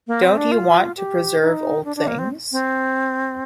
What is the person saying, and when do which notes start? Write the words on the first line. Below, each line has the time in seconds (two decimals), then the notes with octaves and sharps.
Don't you want to preserve old things?
0.07 A#3
0.22 C4
0.37 D4
0.52 F4
0.97 G4
1.41 D#4
1.84 D4
1.96 D4
2.07 A#3
2.19 C4
2.52 C4